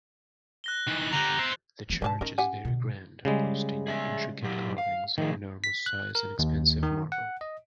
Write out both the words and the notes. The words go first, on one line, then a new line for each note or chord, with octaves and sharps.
The church is very grand boasting intricate carvings, enormous size, and expensive marble.
F#6 A#6 G7
D#3 E3
D3 G3 A#5 F#6 D#7 F7
C5 E5
E3 B3
G#2 D3 G#3 C#4 A5
D#3 C#4 A#4
G4 F#5 G#5
B2 D3
C#3 G3 G#3
G#4 E5 G#5
A#2 F#3 G4
F5
A2 D#3 F3 G#4
B6
F#6
A#4
D#2
D#3
F#5
D#5